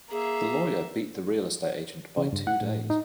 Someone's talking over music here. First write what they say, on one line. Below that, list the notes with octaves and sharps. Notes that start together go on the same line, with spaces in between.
The lawyer beat the real estate agent by two days.
A#3 G#4 E5
C#3
G2
F#5
A2
D#4